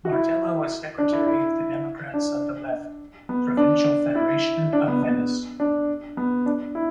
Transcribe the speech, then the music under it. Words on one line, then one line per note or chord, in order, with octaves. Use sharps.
Martella was secretary of the Democrats of the Left provincial federation of Venice.
F#4
E4
D4
E4
E4
D4
B3
D4
E4
D4
B3
B3
D4
B3
D4
E4